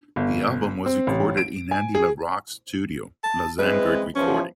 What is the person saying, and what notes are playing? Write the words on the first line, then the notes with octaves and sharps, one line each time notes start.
The album was recorded in Andy LaRocque's studio Los Angered Recording.
G1
C4
A1
D7
G#5
G#4
A5
E3 G#3 C4 B4
E2 F3 C#4